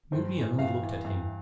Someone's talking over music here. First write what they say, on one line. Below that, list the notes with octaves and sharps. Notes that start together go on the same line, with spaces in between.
Moody only looked at him.
G2 C5
E3
G2 F5
E3
G2